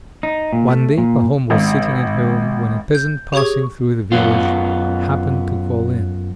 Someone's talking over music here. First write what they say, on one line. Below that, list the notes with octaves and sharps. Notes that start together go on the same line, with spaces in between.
One day Pahom was sitting at home, when a peasant passing through the village, happened to call in.
D#4
A#2
A3
A#2
G#1
G6
G4 G#4 C#5 C#6 G#6
F#2 B3 F4